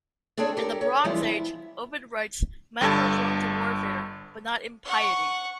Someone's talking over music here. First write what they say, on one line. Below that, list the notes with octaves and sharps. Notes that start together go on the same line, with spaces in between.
In the Bronze Age, Ovid writes, men were prone to warfare, but not impiety.
C4 D4 G#4 A4 C#5 D5
G4 A4 A#4 A#5
C#5
E3 F3 G3 G#3 B3 C4
E4
G1 G2 A4 A5
F#5 C#6